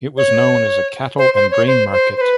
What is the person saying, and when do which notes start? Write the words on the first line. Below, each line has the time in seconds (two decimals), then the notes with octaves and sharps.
It was known as a cattle and grain market.
0.17 C#5
1.18 C5
1.35 C5
1.51 C#5
1.67 C5
1.92 C5
2.17 C5
2.21 B4